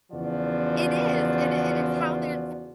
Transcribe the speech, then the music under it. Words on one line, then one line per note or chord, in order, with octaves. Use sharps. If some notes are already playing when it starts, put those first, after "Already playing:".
It is, and it and it's how they're
E2 C#3 F3 F#4 D5